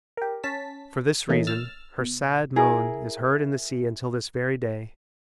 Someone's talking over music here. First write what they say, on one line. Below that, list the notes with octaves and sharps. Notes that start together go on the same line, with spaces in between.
For this reason her sad moan is heard in the sea until this very day.
G4 A#4
C#4 A5 B6
E3 A3 A#3 C#4 D#4
E6 F6 A6
B2
E4 G#4 A#4